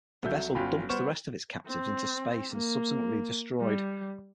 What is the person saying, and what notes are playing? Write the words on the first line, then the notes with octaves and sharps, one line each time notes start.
The vessel dumps the rest of its captives into space and is subsequently destroyed.
C2 F#3 A4 E5 G6
G1 C#4 F4 F#4 G5 B5
G3 B3 C5 C#6 F6 E7
C4
A#3
G3